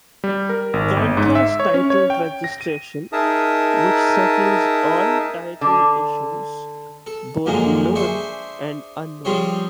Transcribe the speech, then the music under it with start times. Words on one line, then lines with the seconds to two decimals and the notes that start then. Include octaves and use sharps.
Contrast title registration which settles all title issues, both known and unknown.
0.24 G3
0.49 A#4
0.73 G#1
0.97 G1
1.17 G#2
1.35 E5
1.60 C#5
1.74 C#4
1.90 C#5
2.10 G5
2.44 A#6
2.61 D#7
3.13 D#4 G#4 A#4 E5 A5 D#6
5.61 D3
7.06 A4
7.46 F#2 A#2 D3 F3 G#3 A#3
7.95 D4 G#4 C5 E5 C6 C#6
9.25 F3 G3 C4 F4 G#4 C#5